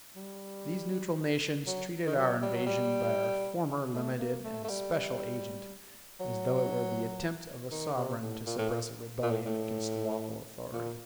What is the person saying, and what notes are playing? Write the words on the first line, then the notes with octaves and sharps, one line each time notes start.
These neutral nations treated our invasion by our former limited and special agent as though it were the attempt of a sovereign to suppress a rebellion against lawful authority.
G3
F#3
D#3
F#3
G3
F#3
G3
A3
A#3
A3
A3
G3
F#3
D#3
C3
A2
A#2
A2
A#2
A#2
A2
A2
A#2